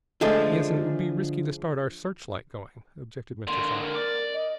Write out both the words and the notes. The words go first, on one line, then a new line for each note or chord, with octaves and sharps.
"Yes, and it would be risky to start our searchlight going," objected Mr. Sharp.
D3 F3 G#3 A3
D3 A#3 C6
A#4
D5
D#5